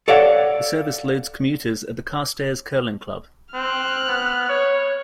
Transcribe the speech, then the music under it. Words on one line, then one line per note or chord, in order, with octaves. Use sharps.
The service loads commuters at the Carstairs Curling Club.
A4 C#5 D5 F5 F#5
C4 F6 F#6
B3
C#5